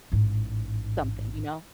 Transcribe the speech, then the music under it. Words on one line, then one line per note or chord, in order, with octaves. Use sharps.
something, you know?
A1 G#2